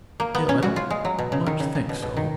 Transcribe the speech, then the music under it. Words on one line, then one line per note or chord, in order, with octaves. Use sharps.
Still, I don't much think so.
A#3
B3
C#4
F#4
F4
G#3
F#3
B2
C#3
D#3
C#3
C#3
B2
B2
D#3